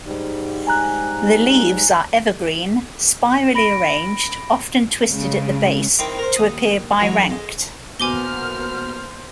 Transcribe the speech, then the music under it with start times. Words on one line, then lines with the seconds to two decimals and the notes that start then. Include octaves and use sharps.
The leaves are evergreen, spirally arranged, often twisted at the base to appear biranked.
0.05 G#2 G3
0.67 G#5 A#5 F#6
3.55 B5 A#6 D7
5.09 C#3 G#3
5.99 D#3 C4 E4 C6 D6
6.19 A#4 C5
6.36 D#2 D#6
7.00 F#2 E3 F#3 G#3
7.30 G#3
8.00 B2 A#3 B3 C5 G#5 D6 F6 G7